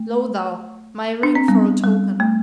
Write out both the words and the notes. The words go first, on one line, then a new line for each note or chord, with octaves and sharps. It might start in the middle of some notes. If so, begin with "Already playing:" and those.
Lo thou, my ring for a token!
Already playing: A3
D4
C4
G3 B3
G3
A3